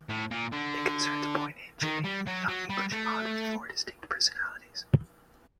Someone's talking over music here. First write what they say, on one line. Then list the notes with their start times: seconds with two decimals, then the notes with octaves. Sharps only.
It concerns a boy named Jimmy, a young English Mod with four distinct personalities.
0.09 A2
0.31 A#2
0.53 D3
1.83 D#3
2.04 G3
2.27 F#3
2.48 F#3
2.69 G3
2.92 A3